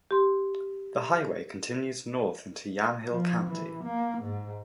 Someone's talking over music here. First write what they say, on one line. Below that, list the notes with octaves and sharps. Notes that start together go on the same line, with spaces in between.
The highway continues north, into Yamhill County.
G4 C6
F3
E3
A#3
G#2